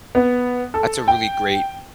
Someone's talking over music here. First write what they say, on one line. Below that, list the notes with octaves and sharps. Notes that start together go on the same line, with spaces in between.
That's a really great,
B3
A4
G5